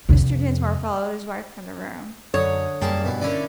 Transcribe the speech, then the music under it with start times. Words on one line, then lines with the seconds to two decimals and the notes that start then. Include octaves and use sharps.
Mr. Dinsmore followed his wife from the room.
0.09 F2 C3
2.34 F#2 D3 C#5 D#6
2.81 F#2 G3 A#3 G#4 A5
3.04 G2 B2 E3
3.21 D3 A#3 C#4 E4 D5